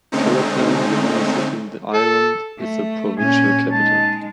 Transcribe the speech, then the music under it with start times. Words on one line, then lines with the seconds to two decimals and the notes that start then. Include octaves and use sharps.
Calapan, the only city in the island, is the provincial capital.
0.12 D3 G#3 A3 C4 C#4 D#4
1.94 A4
2.59 A3
3.19 A#2 C#4 G#5
3.71 G#3 D#4 A5